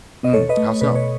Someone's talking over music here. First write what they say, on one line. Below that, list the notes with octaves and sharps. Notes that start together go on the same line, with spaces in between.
Hmm, how so?
D#5
B2 A4 C#5
B4 D#5
A3
B2 B4
C#5